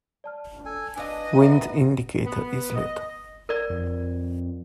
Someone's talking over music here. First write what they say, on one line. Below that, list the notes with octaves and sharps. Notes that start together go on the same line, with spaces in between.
Wind indicator is lit.
D5 A5 F6
A4 G#5
D4 B4 D#5 F5 G#5
B3 E5 F#5 A#5
B3
D#5
A#4 D5
F2